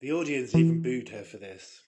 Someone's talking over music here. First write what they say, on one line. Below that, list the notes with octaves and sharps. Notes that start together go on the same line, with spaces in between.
The audience even booed her for this.
E3